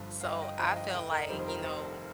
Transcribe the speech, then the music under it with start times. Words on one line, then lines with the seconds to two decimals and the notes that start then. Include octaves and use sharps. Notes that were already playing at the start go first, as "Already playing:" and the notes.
So I felt like, you know,
Already playing: G1 G2 F3
0.21 F5
0.24 G1 D#5 G5
0.42 D#5 G5
0.59 G2 F3 F5 A#5
0.76 D#5 G5
0.94 F1 D#5 G5
1.11 A#4 D#5
1.29 F2 D#3 G3 C5
1.39 C5
1.47 A#4
1.63 F1 C5